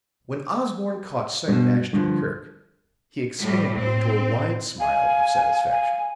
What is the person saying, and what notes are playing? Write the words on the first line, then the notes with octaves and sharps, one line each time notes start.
When Osborne caught sight of Ashton-Kirk he expanded into a wide smile of satisfaction.
G2 B2
G2 D3 F3
A2 G3
A2 C4
F5 G#5
G#5